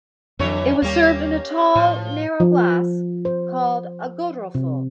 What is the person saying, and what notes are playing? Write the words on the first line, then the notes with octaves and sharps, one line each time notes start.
It was served in a tall, narrow glass called a "Goderulffe".
F2 D3 E3 F#3 C#5
D#2 G3 A#3 C#4 G4
A2 F3
F3
C5
C3